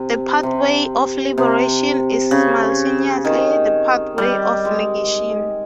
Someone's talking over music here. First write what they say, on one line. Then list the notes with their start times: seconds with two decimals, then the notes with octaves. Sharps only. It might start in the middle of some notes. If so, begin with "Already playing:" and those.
The pathway of liberation is simultaneously the pathway of negation.
Already playing: C3
0.43 C3
1.38 C3
2.31 C#3
3.25 D#3
4.18 G3
4.65 G#3